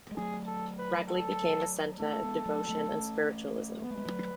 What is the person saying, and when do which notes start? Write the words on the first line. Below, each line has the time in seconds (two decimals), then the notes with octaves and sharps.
Ragley became a centre of devotion and spiritualism.
0.11 G#3
0.17 F#3 A3 G#4
0.47 A4
0.78 B4
1.09 A4
1.99 A3 C#4 A4
2.23 G#3 B3
2.46 F#3 A3
2.69 F#3 A3
2.92 A3 C#4
3.83 B3 B4
3.91 A3
3.98 G#3 B3
4.05 F#3 A3